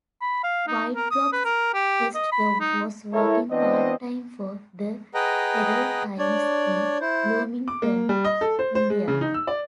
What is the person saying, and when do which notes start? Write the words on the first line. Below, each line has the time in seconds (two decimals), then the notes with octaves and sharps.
Whitlock's first job was working part-time for "The Herald-Times" in Bloomington, Indiana.
0.21 B5
0.43 F5
0.67 D#4
0.96 A#4
1.11 D#6
1.33 B4
1.45 A#4
1.74 G4
2.15 D#5
2.32 B5
2.60 D#4
3.13 E4 A4 A#4 C#5
3.51 E3 B3 C4 D4 C5 D#5
5.14 G#4 B4 D#5 F#5 G5 A#5
6.18 D4 C#5 D5
7.01 E4 C5
7.68 D6
7.82 A#3
8.09 G3
8.25 D#5
8.41 A4
8.59 C5
8.75 C5
8.90 G#3
9.08 C#3
9.21 D#4
9.34 E6
9.47 D5